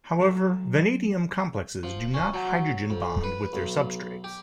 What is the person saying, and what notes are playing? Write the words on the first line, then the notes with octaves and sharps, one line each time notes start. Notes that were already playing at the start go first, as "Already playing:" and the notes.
However, vanadium complexes do not hydrogen bond with their substrates.
F#3 A4 A5 A#5 C6
F3
C#4
F#3
F2
B4
B1
G4